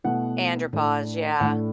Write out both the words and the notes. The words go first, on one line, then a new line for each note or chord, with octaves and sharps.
Andropause, yeah.
B2 A3 E4 F#5
A2 A3 D4
A2 A3 D4 F#5